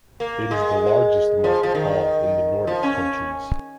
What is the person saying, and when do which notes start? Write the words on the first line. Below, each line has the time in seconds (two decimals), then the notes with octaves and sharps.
It is the largest market hall in the Nordic countries.
0.20 A#3
0.51 G#3
1.44 F3
1.63 F3
1.75 D#3
2.67 F3
2.83 C#4